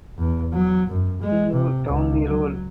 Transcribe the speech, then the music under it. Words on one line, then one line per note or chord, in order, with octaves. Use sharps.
See you down the road.
E2
F#3
F#2
G#3
C3
C#2
F#3